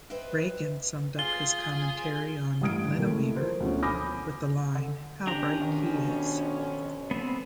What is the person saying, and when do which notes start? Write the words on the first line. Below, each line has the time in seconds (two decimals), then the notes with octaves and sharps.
Reagan summed up his commentary on Linaweaver with the line, How right he is!
0.10 B4 C5 D#5 E5 G5
1.19 F4 G#4 G7
2.61 A1 G2 D#6 G#6 D7
2.97 A2 D3 D#3 A#3
3.10 G#3 A3 E4 A4
3.36 F3 A#4 C5
3.60 D2 B2 F3 C#4
3.83 G#5 B5 D6 D#6 G6 A#6
4.75 D3
5.27 F2 B2 C#4 D4 G4 A#5
5.62 D#3
7.11 B3 C4